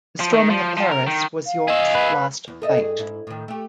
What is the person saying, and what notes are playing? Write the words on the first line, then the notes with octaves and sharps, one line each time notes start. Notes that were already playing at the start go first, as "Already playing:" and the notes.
The storming of Paris was Yorck's last fight.
F3
D#3
F3
F3
A#4
D#3
F5
G#4 D#5 E5
B4
E2
A4 D#5 E5
G2 G#4
G#2 E4
A2 D#3
A3 G4